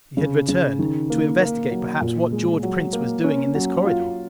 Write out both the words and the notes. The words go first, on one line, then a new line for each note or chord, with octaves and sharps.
He had returned, to investigate perhaps what George Prince was doing in this corridor.
C#3
C#3
D#3
A#3
A#3
F#3
A#2
G#3
F#3
A#3
C#4
F#3
F4